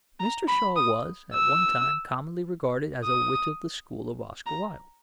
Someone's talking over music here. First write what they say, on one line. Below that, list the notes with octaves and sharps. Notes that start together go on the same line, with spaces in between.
Mr. Shaw was at one time commonly regarded as a wit of the school of Oscar Wilde.
A#5
B5
D#6
E6
D#6
A#5